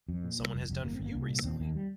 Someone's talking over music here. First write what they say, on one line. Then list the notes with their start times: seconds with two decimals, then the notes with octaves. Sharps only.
someone has done for you recently?
0.08 F2
0.24 A#2
0.39 C2
0.53 F1
0.69 F1
0.85 G1 A#3
0.95 C4
1.00 G1
1.05 A#3
1.15 C2
1.30 A#2
1.45 D#2 C4
1.60 D#2 A#3
1.75 G3